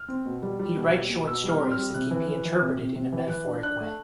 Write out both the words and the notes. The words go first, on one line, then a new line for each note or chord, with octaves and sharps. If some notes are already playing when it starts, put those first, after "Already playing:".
He writes short stories that can be interpreted in a metaphoric way.
Already playing: F6
C4
B2
G3
G3
B2
G3
B2
B2 E6
G3
F6
C4
F6
G3
C3 F#6
E3
E3
E3
C3
C3
C3
E3
E3 F#6
D4
D4 F#6
A3